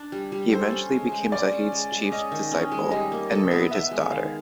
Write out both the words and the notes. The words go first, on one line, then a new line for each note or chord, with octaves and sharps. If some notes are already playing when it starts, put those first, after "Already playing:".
He eventually became Zahid's chief disciple and married his daughter.
Already playing: D4
G3
G3
A4 C5
C#4
G#3
G#3
C#4 D5
C#4
G#3
G#3
C#4 D#5
D#3
C#4
G#3
G3 D#5
A#3
A4
B3
B3 E5
G#3
D#3 F5